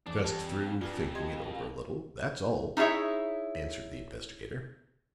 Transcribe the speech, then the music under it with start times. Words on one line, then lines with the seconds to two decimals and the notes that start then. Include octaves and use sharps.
"Just through thinking it over a little, that's all," answered the investigator.
0.06 E2 D4 D5
0.24 F2 G4 A5
0.81 F2 D4 F4 G#4 B4
1.15 G4 D#5 C6 G#6
2.77 D#4 E4 G#4 C#5 E5